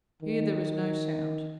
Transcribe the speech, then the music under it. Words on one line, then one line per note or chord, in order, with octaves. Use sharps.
Here there was no sound.
D#3